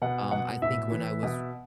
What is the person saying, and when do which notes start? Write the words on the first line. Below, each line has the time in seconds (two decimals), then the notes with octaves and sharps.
Um, I think when I was,
0.02 B2 F#5
0.31 B2 F#5
0.62 A2 E5
0.92 E3
1.23 B2